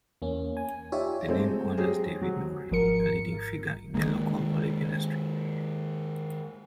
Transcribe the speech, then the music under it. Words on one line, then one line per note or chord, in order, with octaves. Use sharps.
The name honors David Murray, a leading figure in the local olive industry.
E2 A#3 C#4
G#5
D#4 F4 G4 C#5 D5 E5
G#3 A3 C4
F#3 G4 G#4
F#3
G#1 F3 A#4 C#7
D#3 E3 G#3 A#3